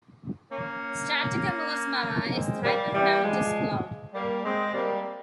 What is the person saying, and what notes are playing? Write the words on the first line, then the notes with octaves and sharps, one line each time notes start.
Stratocumulus Mamma is a type of mammatus cloud.
A#3 C#4
G#3 C4
G3 A#3
E3 G3
F3 G#3
G3 A#3
G#3 C4
G3 A#3